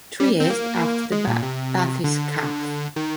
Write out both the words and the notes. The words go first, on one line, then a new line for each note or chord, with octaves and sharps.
"Trieste", after the bathyscaphe.
G3
C4
A#3
G#3
A#2
C3
D3
D#3